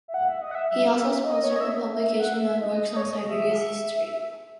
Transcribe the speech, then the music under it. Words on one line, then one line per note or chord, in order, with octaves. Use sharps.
He also sponsored the publication of works on Siberia's history.
E5
F#5
E5
D#5
F#5
E5
E5
D#5
C#5
D#5
E5
E5
E5
F#5
E5
D#5
D#5
C#5
D#5
D#5
E5